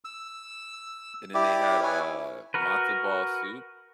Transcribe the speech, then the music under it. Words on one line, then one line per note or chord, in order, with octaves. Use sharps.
And then they had, uh, matzo ball soup.
E6
E4 G4 D5
B4 C#5 G#5
F#4 A#4 B4